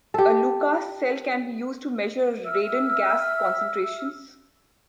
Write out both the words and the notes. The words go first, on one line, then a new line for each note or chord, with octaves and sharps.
A Lucas cell can be used to measure radon gas concentrations.
G4 A4
E5 E6 F6